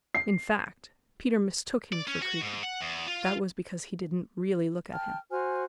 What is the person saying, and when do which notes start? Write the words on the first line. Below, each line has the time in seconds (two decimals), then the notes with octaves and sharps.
In fact, Peter mistook him for Creaker. That was because he didn't really look at him.
0.15 C7
1.93 D5
2.08 C#4
2.22 F#4
2.41 G#2
2.63 F#5
2.81 E2
3.08 F4
4.93 G5 A5 F6
5.31 F#4 C5 G#5 F6